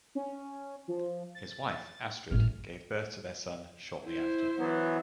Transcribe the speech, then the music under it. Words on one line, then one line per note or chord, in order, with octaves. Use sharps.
His wife, Astrid gave birth to their son shortly after.
C#4
F3
A6
A1 F#2 F6
E4 C5
E3 F#3 B3